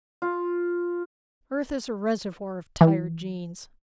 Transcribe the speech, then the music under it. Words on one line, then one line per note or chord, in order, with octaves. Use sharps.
Earth is a reservoir of tired genes.
F4
E3